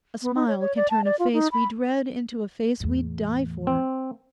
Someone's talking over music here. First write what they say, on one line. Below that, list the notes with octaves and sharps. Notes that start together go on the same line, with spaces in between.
A smile can turn a face we dread into a face we'd die for.
B3
D#4
C#5
C#5
D5
A5
D5
F4
D#4
B5
E2 A2
C4